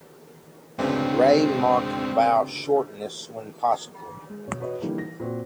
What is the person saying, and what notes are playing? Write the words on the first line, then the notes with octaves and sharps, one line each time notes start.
Ray marked vowel shortness when possible.
D2 G2 C#3 G#3 C4 D4
G#3
B2 C#5
F#4 B4 C#5 D#5
D3 E3 F3 G3 A#3 D#4
A#6
A#2 C4 F#4